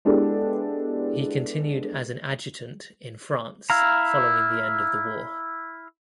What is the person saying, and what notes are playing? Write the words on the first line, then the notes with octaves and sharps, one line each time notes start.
He continued as an adjutant in France following the end of the war.
G#3 B3 D4 E4 G4 A4
E4 F5 A#5